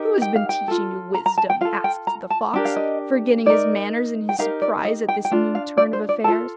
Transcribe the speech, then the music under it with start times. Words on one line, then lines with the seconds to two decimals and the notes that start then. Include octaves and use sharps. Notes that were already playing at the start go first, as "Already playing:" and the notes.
'Who has been teaching you wisdom?' asked the fox, forgetting his manners in his surprise at this new turn of affairs.
Already playing: D#4 G4 A#4
0.22 G5
0.36 F5
0.49 G5
0.68 F4 A4
1.14 A#5
1.26 A#5
1.38 A5
1.50 G5
1.61 F4 F5
1.65 A4
1.84 G5
2.07 A#5
2.30 A5
2.54 D4 G4 A#4
2.65 F5
2.76 D#5
3.46 D#4 A#4 D5
4.29 G5
4.39 D#4 G4 A#4 F5
4.62 D5
4.85 D#5
5.09 G5
5.25 G5
5.31 D4 F4
5.55 F5
5.78 D5
5.93 C5
6.09 D5
6.24 A4 A5
6.28 F4